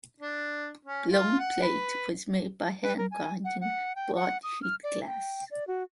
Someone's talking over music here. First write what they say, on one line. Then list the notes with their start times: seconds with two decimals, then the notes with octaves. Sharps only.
Blown plate was made by hand-grinding broad sheet glass.
0.20 D4
0.85 C#4
1.11 F4
1.39 F#5
1.62 B4
2.83 B4
2.98 A#4
3.11 G#5
3.45 F#5
3.61 F#5
3.96 G5
4.16 F#5
4.43 D#6
4.62 F6
4.84 D5
5.06 G5
5.51 D5
5.67 F#4